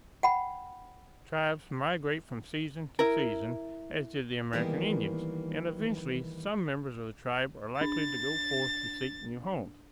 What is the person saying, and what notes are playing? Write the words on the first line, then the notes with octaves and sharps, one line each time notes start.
Tribes migrate from season to season, as did the American Indians, and eventually some members of the tribe are likely to go forth to seek new homes.
F#5 G5 B5
E4 A#4
D#3 E3 G3 G#3 A#3 B3
D4 A6